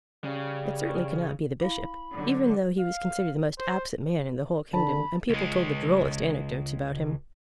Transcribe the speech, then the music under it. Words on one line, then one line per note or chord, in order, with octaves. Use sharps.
It certainly could not be the Bishop; even though he was considered the most absent man in the whole kingdom, and people told the drollest anecdotes about him.
C#3 G3
E4 F5 B5 D6
D3 F#3
F5
C5
D3 A5 B5
C#2 G#3